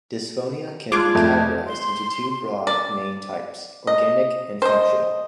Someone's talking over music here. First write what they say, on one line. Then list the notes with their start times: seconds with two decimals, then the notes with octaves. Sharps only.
Dysphonia can be categorized into two broad main types: organic and functional.
0.92 D4 F4 G#4 D6
1.15 F2 A3
1.66 C6
2.67 D5
3.87 D#5
4.62 C5 D#5